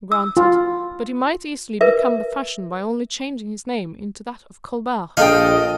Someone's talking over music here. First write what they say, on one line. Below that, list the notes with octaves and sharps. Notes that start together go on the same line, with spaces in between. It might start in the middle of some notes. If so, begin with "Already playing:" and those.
"Granted, but he might easily become the fashion by only changing his name into that of Colbert."
E6
F4
A#4 B4 E5
A#1 F3 A4 D#5 F5 G5